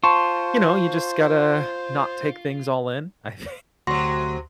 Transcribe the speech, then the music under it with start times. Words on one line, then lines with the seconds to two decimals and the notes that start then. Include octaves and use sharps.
you know, you just gotta not take things all-in. I thi
0.04 F4 C5 A5 C6 C#6 E7
3.87 D2 C3 F#3 F#4 C6 A#6